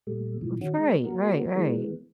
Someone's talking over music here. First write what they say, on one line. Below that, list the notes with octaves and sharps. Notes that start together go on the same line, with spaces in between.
That's right, right, right.
A#2 G3 A3
G#2 B2 E3 F3
D#3 C#4 F#4
G#3
A#3 F#4 A#4
E3 G#3 B3